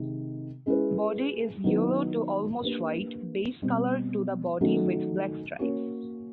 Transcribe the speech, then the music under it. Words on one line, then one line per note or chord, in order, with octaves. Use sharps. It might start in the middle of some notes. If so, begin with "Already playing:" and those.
Body is yellow to almost white base colour to the body with black stripes.
Already playing: C3 D#3 G#3
G#3 C#4 E4 G#4 B4
D#3 F#3 B3 E4
A#3 D4 G4 B4
B2 G3 C4
D#3 F#3 A3 C#4 F#4
A#3 C#4 F#4 A#4 C#5